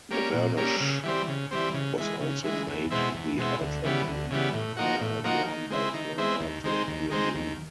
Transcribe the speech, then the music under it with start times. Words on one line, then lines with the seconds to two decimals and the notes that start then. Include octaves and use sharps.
The varnish also made the ultramarine palla worn by Flora to appear green.
0.11 G3 A#3 C#4
0.33 A#2
0.57 G3 A#3 C#4
0.80 C#3
1.04 E3 G3 C4
1.28 C#3
1.51 E3 G3 C4
1.74 C#3
1.97 E3 G#3
2.20 C#3
2.44 E3 G#3
2.67 E2
2.91 B2 G#3 C4 E4
3.14 E2
3.37 B2 G#3 C4 E4
3.61 D2
3.84 C#3 E3 G3 B3
4.07 D2
4.31 C#3 E3 G3 B3
4.54 A2
4.77 F3 A#3 D#4 F#4
5.01 A2
5.24 F3 A#3 D#4 F#4
5.47 D#3
5.70 G#3 C4 E4
5.94 D#3
6.18 G#3 C4 E4
6.40 D#2
6.64 D#3 G#3 C4
6.87 D#2
7.10 D#3 G#3 C4
7.35 D#2